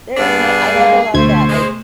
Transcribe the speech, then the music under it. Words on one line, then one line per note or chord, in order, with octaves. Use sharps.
there is no I like a lot of that, like,
G2 B3 D4 G#4
G#3 A#3
D2 B2 A3 C5 G#6
G#3